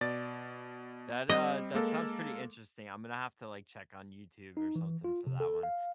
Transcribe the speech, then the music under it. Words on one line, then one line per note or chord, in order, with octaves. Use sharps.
that, uh, that sounds pretty interesting, I'm gonna have to, like, check on YouTube or something for that one,
B2 D5 A6
G3 C4 D#5
G#3 A#3 A4
D#4
E3
F4
C3
A4
F5